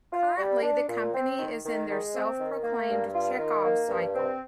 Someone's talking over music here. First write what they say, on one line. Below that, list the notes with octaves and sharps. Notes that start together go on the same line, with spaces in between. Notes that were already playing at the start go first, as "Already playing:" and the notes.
Currently the company is in their self-proclaimed "Chekhov Cycle".
F4
G3
D4
A#2
C4
D#3
D#3
G#3
C4
D#3
A#3
G2
F4
D#3
A#3
G2
C4